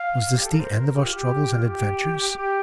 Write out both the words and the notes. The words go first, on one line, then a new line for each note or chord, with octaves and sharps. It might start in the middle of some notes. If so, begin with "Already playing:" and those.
Was this the end of our struggles and adventures?
Already playing: F5
G4
A4
A#4
C5
A#4
G4
F4
G4
F4
G4
G4